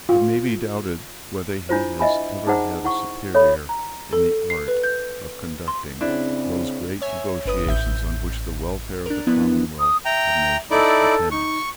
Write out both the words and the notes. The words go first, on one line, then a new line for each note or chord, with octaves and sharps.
It may be doubted whether he has ever had a superior in the art of conducting those great negotiations on which the welfare of the commonwealth of nations depends.
F4
D4 E4 F4 C5
D#5 E5 G#5 B5
D#4 G#4 C5 F#5 A#5
E4 F#5 C#6
A4 C#5 E5 B5
A#5
A4
C7
B4
G6
C6
C#3 C4 D4 E4
C#5 E5 G#5
G1 B4 D#6
A1 E5 G6
D4 A#4
F3 B3 D4 E4
D#6
E5 G5 A#5
D#4 E4 A4 D5
D#4 C#6